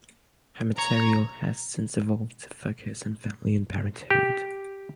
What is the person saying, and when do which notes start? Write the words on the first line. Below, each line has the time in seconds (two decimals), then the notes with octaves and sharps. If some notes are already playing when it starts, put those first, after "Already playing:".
Her material has since evolved to focus on family and parenthood.
0.78 C#5 A#5
4.10 G4